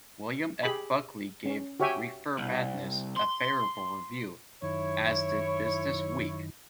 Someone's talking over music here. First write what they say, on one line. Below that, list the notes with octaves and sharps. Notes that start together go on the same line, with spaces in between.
William F. Buckley gave "Reefer Madness" a favorable review, as did "BusinessWeek".
G4 G#4 B5
C#4
F#4 G4 C#5 E5 G5 G#5
C2
C6
F#2 D#3 E4 C#5